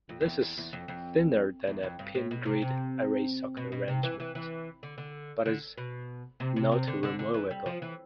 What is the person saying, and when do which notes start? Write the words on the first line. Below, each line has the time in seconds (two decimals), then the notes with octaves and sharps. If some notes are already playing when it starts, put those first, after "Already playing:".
This is thinner than a pin grid array socket arrangement, but is not removable.
0.09 F2
0.21 F2
0.26 E2
0.41 E2
0.58 E2
0.73 F2
0.88 F2
1.67 E2
1.83 F2
1.99 G2
2.15 A2
2.31 B2
2.46 C3
2.62 C3
3.57 B2
3.72 B2
3.88 C3
4.03 E3
4.20 E3
4.35 E3
4.83 D3
4.98 D3
5.46 D3
5.78 B2
6.40 C3
6.56 C3
6.72 C3
6.87 D3
7.03 D3
7.19 D3
7.34 E3
7.51 G3
7.66 F3
7.82 E3